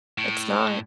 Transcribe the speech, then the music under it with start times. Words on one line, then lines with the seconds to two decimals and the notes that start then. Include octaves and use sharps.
It's not.
0.18 A2